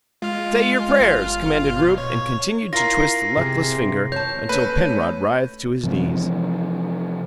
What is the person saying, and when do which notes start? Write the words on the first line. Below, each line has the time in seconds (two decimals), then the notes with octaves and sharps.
"Say your prayers!" commanded Rupe, and continued to twist the luckless finger until Penrod writhed to his knees.
0.22 G#3 F4 F6
1.00 G1
1.79 B2
1.98 C#5
2.73 E4 F4 A#4 A#5 A#6 C7
3.37 C3 G#4
4.12 C#5 A5 G6
4.49 A3 C#4 B4
5.84 C3 E3 F3 C4